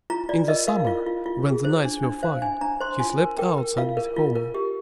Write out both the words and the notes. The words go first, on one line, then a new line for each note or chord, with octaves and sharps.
In the summer, when the nights were fine, he slept outside with Homo.
F4 A#5
F4 D5
A#4 D#5
A#4 F5
F4
F4
F4
G#4
C5
D4
D4
C5 F5
D4 G#5
D4 A#5
C5 C6
F4 G#5
A#4
A#4 G5
A#4
F4 F5
A#4
F4
A#4
G4